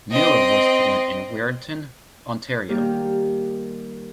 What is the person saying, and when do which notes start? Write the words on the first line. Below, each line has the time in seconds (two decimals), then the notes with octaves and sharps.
Miller was born in Wiarton, Ontario.
0.11 C4 D#5
2.69 D#3 G3 A#3 G4 A#4